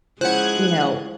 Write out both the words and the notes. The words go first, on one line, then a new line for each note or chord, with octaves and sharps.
you know,
F3 G#3 C#4 E4 C5 F#5 F#6 G#6